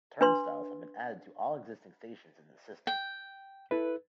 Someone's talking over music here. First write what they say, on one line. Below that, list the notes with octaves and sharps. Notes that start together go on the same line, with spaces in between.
Turnstiles have been added to all existing stations in the system.
D4 B4 C6
G5
E4 A4 B4 E5